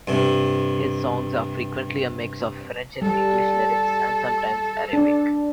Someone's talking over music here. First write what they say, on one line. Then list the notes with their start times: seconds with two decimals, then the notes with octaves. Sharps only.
His songs are frequently a mix of French and English lyrics, and sometimes Arabic.
0.08 G2 C3
3.02 G3 A4
4.93 D4